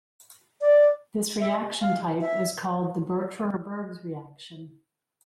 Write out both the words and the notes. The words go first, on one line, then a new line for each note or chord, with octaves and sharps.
This reaction type is called the Bucherer-Bergs reaction.
D5
E5
F5
E5